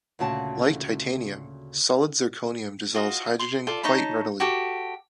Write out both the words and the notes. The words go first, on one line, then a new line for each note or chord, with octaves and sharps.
Like titanium, solid zirconium dissolves hydrogen quite readily.
D2 A#2 C#3 F#4 A5
F4 F#4 D#5
C6
F4 A4 D5
D#4 C#5 A5 B5
F#4 G4 A4